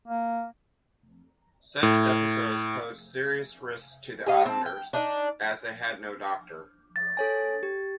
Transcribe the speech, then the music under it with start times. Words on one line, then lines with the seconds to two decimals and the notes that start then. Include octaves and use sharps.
Such episodes posed serious risks to the islanders, as they had no doctor.
0.08 A#3
1.83 A2
4.26 G4 D#5 F5
4.45 C4 A5
4.66 G5
4.93 D4 D#4 D5
6.96 A6
7.17 A4 C#5 G#5
7.63 G4